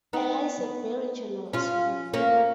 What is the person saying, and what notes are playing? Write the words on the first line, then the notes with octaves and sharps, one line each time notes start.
Ella is a very generous woman.
B3 D#4
C#4 F4
A#3 C#4